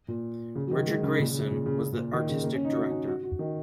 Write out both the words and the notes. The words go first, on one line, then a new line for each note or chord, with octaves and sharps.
Richard Grayson was the Artistic Director.
A#2
C#3
F#3
D#3
G#3
C#3
A#2
C#3
C#3
A#2
C#3
C#3
A#2
D#3
C#3
A#3
C#4
D#4
F#4
C#4
F#4
F#4
D#3